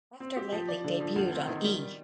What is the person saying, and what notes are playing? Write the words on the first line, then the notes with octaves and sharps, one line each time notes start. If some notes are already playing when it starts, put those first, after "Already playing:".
"After Lately" debuted on E!
C4
G4
F3
D5
D3
F3
D2
C4
D#3
G3